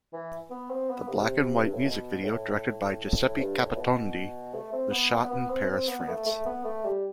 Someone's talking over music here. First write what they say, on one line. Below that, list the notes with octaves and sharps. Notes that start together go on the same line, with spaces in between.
The black-and-white music video, directed by Giuseppe Capotondi, was shot in Paris, France.
E3
B3
C4
B3
C3
G2
A2
B2
A2
G2
A2
B2
A3
C4
B3
B3
B3
C4
C4
B3
A3
A3
B3
A3
G3